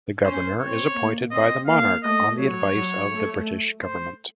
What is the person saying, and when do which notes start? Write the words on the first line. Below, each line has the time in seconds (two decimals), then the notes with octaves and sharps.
The Governor is appointed by the monarch on the advice of the British government.
0.24 C#4 C5
0.60 C4 C#5
0.95 A#3
1.31 C4 D#5
1.67 A#3 F5
2.03 A3 D#5
2.39 F#3 C#5
2.75 F#3
3.10 A3
3.82 C5